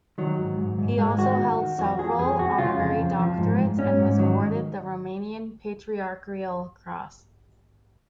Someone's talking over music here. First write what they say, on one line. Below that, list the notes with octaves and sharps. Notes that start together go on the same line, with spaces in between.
He also held several honorary doctorates, and was awarded the Romanian Patriarchal Cross.
D#3 F#3
G#2
G#2
G#2
G#2 G#3
D#3 F#4
D#3
D#3
F2 F#4
F3 G#4
F2 G#4
F2 F#4
C#3 F4
F2
F2
F3
G#2
G#2
G#2 C#4
G#2
D#3 F#3